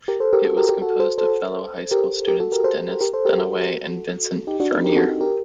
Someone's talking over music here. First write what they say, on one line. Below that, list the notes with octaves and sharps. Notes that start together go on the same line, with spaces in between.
It was composed of fellow high school students Dennis Dunaway and Vincent Furnier.
G4 A#4
A4 C5
G4 A#4
F#4 A4
G4 A#4
G4 A#4
F#4 A4
A4 C5
A4 C5
G4 A#4
G4 A#4
F#4 A4
G4 A#4
A4 C5
G4 A#4
A4 C5
G4 A#4
F#4 A4
D#4 G4
D4 F#4
C4 D#4
G4 A#4
F#4 A4
D#4 G4
G4 A#4